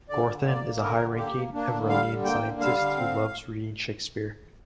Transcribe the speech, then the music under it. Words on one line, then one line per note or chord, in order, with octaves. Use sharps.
Gorthan is a high-ranking Evronian scientist who loves reading Shakespeare.
D3 D5
D3
A#3 D5
A#3
D3 A#4
D3
A#3 G4
A#3
A#3 D4
D3
G3 F5
D3
A#3 G5
D3
G3 F5
D3
C4